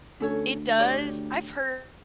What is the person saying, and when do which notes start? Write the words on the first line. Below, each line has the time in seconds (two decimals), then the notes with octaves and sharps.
it does I've heard
0.20 D2 C#4 A4 C#5
0.79 G4 C#5 D5